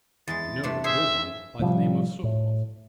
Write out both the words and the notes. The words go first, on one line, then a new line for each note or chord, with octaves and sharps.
I know no one by the name of Souvaroff.
E2 G#3 A6
C3 A3 D4
G#4 C5 C#5 E5
A2 C3 F3 G3
A2